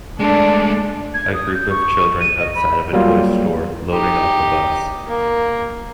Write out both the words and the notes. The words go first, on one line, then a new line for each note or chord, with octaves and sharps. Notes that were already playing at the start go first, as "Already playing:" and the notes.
A group of children outside of a toy store loading off a bus.
G#3 A3 D4
G#6
D#6
G6
C#6
D#7
D#5
B5
F#3 G3 A#3 F4
D#4 G4
A#3